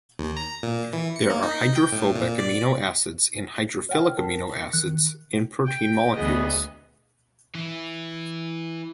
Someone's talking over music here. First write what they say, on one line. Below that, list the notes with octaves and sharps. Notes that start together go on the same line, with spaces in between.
There are hydrophobic amino acids and hydrophilic amino acids in protein molecules.
D#2
A#5
A#2
E3
C#7
A#3
D#4
G5
A2
A#2
D5
C#5 F#5 G5 F6
A#4 A5
C#7
D#3 F#6
G5
D2 B3 G#4 D#5
E3 E4